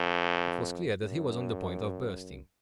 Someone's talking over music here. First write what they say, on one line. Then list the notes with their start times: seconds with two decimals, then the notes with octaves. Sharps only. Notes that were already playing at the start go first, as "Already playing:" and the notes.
It was clear that he was on the point of bursting.
Already playing: F2
1.02 F#2